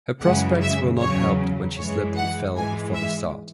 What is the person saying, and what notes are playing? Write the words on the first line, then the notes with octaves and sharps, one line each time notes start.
Her prospects were not helped when she slipped and fell before the start.
F#2 C#3 E3 G#3 F#5
E5
E2 C#3 F#3 C#5
F#2 E3 G#3 C#5
F#5
G#2 E3 G#3 G#5
E5